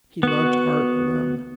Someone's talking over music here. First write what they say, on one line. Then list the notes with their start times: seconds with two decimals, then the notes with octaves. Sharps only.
He loved art alone.
0.23 B3 F#4